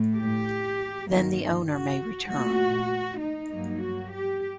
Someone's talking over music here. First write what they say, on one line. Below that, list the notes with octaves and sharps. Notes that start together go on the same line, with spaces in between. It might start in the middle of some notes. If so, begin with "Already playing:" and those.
Then the owner may return.
Already playing: A2 A3
G4
G2 D#3 G3 A#3
F#4
A#2 A3 F#4
D#4
G2 F#3 A#3
F#4
G4